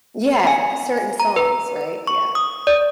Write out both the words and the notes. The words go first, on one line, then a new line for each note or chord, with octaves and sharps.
Yeah. Certain songs, right? Yeah.
G#5
A#5
B4
C#6
D#6
D5